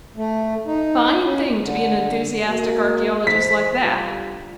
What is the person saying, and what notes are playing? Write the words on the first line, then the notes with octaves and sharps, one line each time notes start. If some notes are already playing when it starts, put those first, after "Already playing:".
Fine thing to be an enthusiastic archæologist like that.
A3
D#4
C#4
D3
A#3 F#4
E3 C5 B6
D3 G3 F4